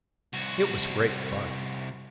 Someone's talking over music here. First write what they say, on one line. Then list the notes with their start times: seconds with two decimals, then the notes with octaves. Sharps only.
It was great fun.
0.33 C2 F#4